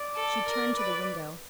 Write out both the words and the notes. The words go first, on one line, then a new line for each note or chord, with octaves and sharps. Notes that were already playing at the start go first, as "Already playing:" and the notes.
She turned to the window.
Already playing: D5
A4
A#4
B4